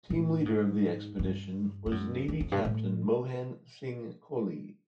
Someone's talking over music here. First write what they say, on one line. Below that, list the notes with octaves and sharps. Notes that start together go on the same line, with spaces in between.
Team leader of the expedition was Navy Captain Mohan Singh Kohli.
A2
G#2
G2
G2
F#2
F2
F2
G2
A2